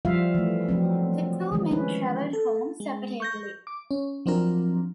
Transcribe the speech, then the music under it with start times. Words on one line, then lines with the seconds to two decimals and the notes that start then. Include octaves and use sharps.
The two men traveled home separately.
0.05 F3 G3 F4 E5 F5
0.34 E3 A3
0.69 F3 F#3 C4
1.52 D#3 E3 G#3
1.71 C#4 B4
2.33 A4
2.80 G#3
3.20 C#6 G6 A#6
3.67 D6
3.91 C#4
4.26 F3 F#3 C4 D4 F4 A#4